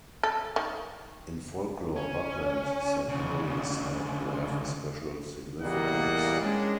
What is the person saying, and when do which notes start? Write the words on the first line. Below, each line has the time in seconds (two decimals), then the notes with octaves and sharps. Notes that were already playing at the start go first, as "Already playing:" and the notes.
In folklore Buckland Saint Mary is said to have a special significance.
0.23 A4
0.56 D#3
1.96 C#4
3.08 D2 C#3
5.62 E2 A#2 G3 A#3 D#5 F#5
6.41 G#3 C#4 D4